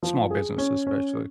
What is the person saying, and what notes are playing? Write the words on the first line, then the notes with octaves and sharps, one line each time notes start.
small businesses, especially.
F3
G#4
C#4
C#4